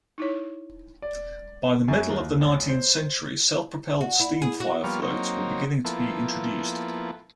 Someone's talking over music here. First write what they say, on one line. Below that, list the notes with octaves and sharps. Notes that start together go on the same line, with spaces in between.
By the middle of the nineteenth century, self-propelled steam-fire-floats were beginning to be introduced.
D#4 E4 C#5
D5
F#2
D#2
A1
C5
F#4
E4
G#4
F#4
F3 G3 A#3 B3 C#6 F6
F#3 A#3 C4 D#4 C#5
F3 A#3 B3 E4 A4